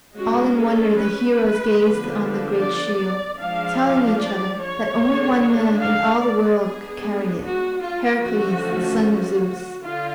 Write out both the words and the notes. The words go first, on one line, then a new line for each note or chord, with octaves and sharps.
All in wonder the heroes gazed on the great shield, telling each other that only one man in all the world could carry it--Heracles the son of Zeus.
G#3 C#4 F#4
A4
B4
D3 F3 B3 D4
D5
F3 G#3 D4 F5
D5
C#5
D3 G#3 D4
F5
D5
G#3 B3 D4 G#4
F#4
F4
D3 F3 A3 C#4 F#4
F#4
D3 F4